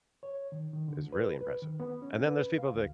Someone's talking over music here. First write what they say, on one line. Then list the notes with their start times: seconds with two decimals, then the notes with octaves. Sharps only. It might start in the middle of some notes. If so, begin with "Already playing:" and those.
is really impressive. And then there's people that,
0.23 C#5
0.52 D#3
0.73 D#3
0.88 D3
1.12 B4
1.41 B4
1.62 D#3
1.80 B3
2.02 C#4
2.27 B4
2.58 F5
2.75 D2